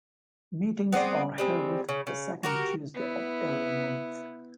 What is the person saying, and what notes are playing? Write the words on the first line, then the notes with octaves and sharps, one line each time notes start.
Meetings are held the second Tuesday of every month.
B3 C4 G#4 D5
G3 G#3 C4
C#3
C#3
F#4 G4 A#4
B3 E4